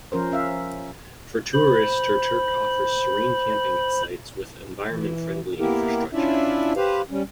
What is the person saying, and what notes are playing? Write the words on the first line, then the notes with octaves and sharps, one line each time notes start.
For tourists Turtuk offers serene camping sites with environment friendly infrastructure.
F3 C#4 A#4 C5
C#4 E5 F5
C5 B5
E3
A#3 B3 E4 G4 A#4
C#4 D4 E4 F4 D5 E5
G4 B4 C5 F5
G3 C#4